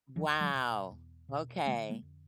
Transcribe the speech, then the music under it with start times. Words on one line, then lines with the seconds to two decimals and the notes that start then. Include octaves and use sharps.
Wow. Okay.
0.16 E2 E3 F#3
0.41 F3 G3
0.53 B2
0.91 E2
1.29 B2
1.66 D3 G#3 A#3
1.90 G#3 A#3
2.02 F2